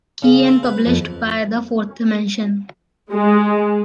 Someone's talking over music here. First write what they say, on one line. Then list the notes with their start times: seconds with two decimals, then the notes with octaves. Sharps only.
Key and published by The Fourth Dimension.
0.22 C#3
0.47 C4
0.63 B4
0.86 F2
3.13 G#3